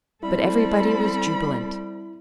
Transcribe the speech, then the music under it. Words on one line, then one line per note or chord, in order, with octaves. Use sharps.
But everybody was jubilant.
G3 C4 E4 A4 B5